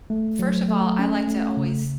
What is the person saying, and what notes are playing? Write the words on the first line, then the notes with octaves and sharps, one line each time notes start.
First of all, I like to always
A3
F#3
A3
C#4
A3
C#3